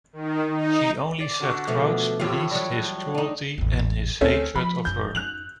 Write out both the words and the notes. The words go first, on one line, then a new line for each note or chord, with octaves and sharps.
She only sat crouched beneath his cruelty and his hatred of her.
D#3
D#4
D5
D3 F#4
B2 F3 A3
A2 E3 F4 G4
F#3 G3
D4 D#4
A1 E2
D2 A3 C4 C#4
F3 B5
F1 F#2 G6
F#2 D#4 F#6 F7 F#7